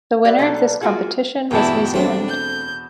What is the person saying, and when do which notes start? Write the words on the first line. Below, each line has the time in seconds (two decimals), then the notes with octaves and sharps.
The winner of this competition was New Zealand.
0.25 G4 B4 D5 E5
0.38 B2 F#3 G3 A#3 D4 A4
0.82 A#3 F4 F#4 G#4
1.51 E2 G2 B2 E4 G5 A5
1.94 A3 C4 D4
2.28 G6